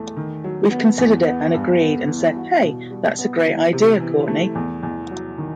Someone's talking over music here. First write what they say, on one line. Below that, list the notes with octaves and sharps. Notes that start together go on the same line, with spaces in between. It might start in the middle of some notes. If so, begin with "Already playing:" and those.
We've considered it and agreed and said, 'Hey, that's a great idea, Courtney.
Already playing: E2 A3
D#3
F#3
B3
E2
B3
G2
B3
E3
F#4
B2
G3
B3
E3
C3
E3
A3
E2
E2
F#3
D#3